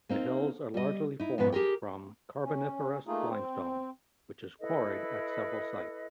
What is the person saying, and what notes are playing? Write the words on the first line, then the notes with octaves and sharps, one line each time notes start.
The hills are largely formed from Carboniferous Limestone, which is quarried at several sites.
A#3 C4 D#4
G3 D#5
D#4 E4
G#2 B2 F3 B3 B4
G4 G#4 A#4 G5
C#4
A3 A#3 D#4 F4 G#4
C4
E4 A4 B4 D#5